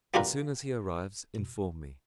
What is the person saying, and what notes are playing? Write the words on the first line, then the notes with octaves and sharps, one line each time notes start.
As soon as he arrives inform me.
B3 D4 F4 G4 A#4 B4